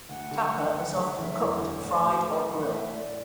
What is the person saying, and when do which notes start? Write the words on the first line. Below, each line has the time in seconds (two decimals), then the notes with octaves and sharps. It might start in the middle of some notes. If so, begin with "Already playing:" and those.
"Tapa" is often cooked fried or grilled.
0.09 D2 F#5
0.31 D3
0.53 D2
0.75 D2
0.96 D3 E5
1.18 F#1 E5
1.41 E2
1.54 F#5
1.62 D3 E5
1.83 A2 D5
2.05 A2 F#4
2.27 A3 A4
2.49 A1 F#5
2.71 A2 E5
2.92 A2 D5